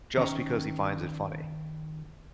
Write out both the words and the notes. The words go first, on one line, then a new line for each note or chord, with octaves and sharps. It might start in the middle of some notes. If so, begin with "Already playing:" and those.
just because he finds it funny.
D#3 C#4 A#5